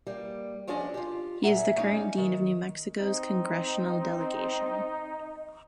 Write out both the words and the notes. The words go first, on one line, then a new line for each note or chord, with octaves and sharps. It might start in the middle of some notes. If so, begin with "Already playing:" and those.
He is the current dean of New Mexico's Congressional Delegation.
G3 A#3
F3 C#4 D4 G#4 D5 D#5
F4 G4
A#2 G#4 E5 F#5 A#5
G3 A3 C#4 D#4
D#3
C4 D#4